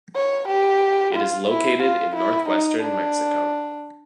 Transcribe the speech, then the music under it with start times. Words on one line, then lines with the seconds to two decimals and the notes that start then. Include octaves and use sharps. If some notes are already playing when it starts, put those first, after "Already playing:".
It is located in Northwestern Mexico.
0.16 C#5
0.48 G4
1.15 F4
1.49 E4
1.82 F4
2.15 E4
2.49 D#4
2.82 D4